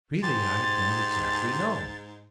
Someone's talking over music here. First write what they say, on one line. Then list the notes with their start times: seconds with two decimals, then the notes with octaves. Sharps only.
"Really, I don't exactly know."
0.22 G#2 G4 C5 G#5 A6